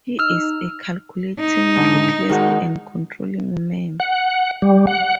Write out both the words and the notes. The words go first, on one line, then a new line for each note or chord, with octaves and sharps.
He is a calculating, ruthless, and controlling man.
D#4 E6 F6
D#4
G#2 D3
D#3 G#3 F#4
F#5
G3
F#5